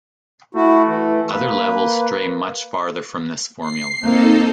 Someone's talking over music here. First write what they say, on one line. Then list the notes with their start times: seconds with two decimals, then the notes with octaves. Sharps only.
Other levels stray much farther from this formula.
0.55 A3 E4 F#4
0.87 E3
1.31 A#3 B4
3.61 C7
4.03 A#3 C4 D#4 A4